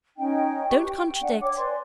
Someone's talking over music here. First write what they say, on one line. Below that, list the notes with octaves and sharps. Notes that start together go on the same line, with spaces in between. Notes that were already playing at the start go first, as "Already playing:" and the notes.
Don't contradict.
C#4 D#4 D#5 G5
G4 B4 C#6
G5
D4 D5 F#5
C#5 G5 D6
B4 D5 G#5 C6